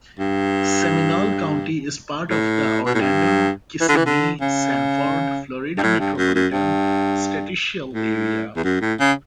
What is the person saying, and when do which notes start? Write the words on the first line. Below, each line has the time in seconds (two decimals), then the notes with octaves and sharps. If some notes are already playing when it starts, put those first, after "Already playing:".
Seminole County is part of the Orlando-Kissimmee-Sanford, Florida Metropolitan Statisticial Area.
0.19 G2
2.30 A2
2.86 B2
2.94 A2
3.00 G2
3.80 E3
3.89 D3
3.96 E3
4.06 D3
4.41 C#3
5.78 G2
5.83 A2
6.00 G2
6.18 F#2
6.35 F#2
6.53 G2
7.94 A2
8.56 E2
8.64 F#2
8.81 A2
9.00 C#3